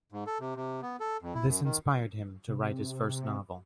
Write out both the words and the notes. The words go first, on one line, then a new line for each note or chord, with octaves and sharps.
This inspired him to write his first novel.
G#2
A4
C3
C3
B3
A4
F2
E4
F#2
D#3
C3